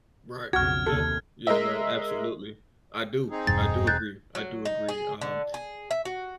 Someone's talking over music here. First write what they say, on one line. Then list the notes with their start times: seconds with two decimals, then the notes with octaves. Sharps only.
Right. Yeah. Yeah, no, absolutely. I do. I do agree, I do agree, um,
0.53 B1 F2 C#3 F#4 F6 G#6
0.86 D#2 C3 A4
1.47 G#3 A#4 D#5 E5
3.31 C4 D#4 G#4
3.47 E1 G2 A6
3.87 F#6 G6 A6
4.35 F#3
4.65 D#4
4.89 G#4
5.21 D3
5.54 G#4
5.91 E5
6.05 F#4